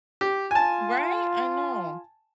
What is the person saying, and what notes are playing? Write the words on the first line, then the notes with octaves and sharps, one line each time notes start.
Right, I know.
G4
F4 G#5 A5